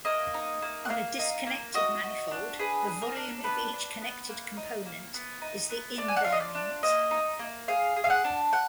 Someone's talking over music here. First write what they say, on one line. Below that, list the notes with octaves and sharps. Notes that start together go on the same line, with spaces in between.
On a disconnected manifold, the volume of each connected component is the invariant.
A#3 D#5
D#4
A#3
F#5
A#3 F5
D#4
A#3
F#4 D#5
F#4
D4
G#4 B4
G#4
A#4
D4
B3 B4
D4
B3
A#3
D#4
A#3
B3
D#4
B3
D4 D5
G#5
F#5
F4 F5
D#5
D5
D4
A#3 D#5
D#4
A#3
G#4 F5
G#4
F5
F#5
D4
F#5